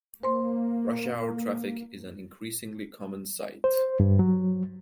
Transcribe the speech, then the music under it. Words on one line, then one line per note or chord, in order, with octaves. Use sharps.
Rush hour traffic is an increasingly common sight.
A#3 C5 C6
C5
G2
F#3